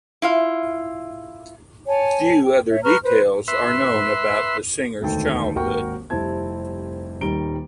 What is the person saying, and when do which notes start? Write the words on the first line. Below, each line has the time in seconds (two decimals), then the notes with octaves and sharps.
Few other details are known about the singer's childhood.
0.22 E4 F4 F5
1.86 C#5 G#5 A5
2.43 G5
2.68 C#5 E5
2.83 B4 A#5 C#6 F6
3.03 B4 C5
3.48 B4 E5 C6
5.01 E1 D2 D#3 A4 G5
5.55 G#1 D#2 F#4 A#4 G5 C#6
6.10 F1 G3 C4 E4 A5 G#6
7.21 D#1 D#3 G3 A#5 D7 G7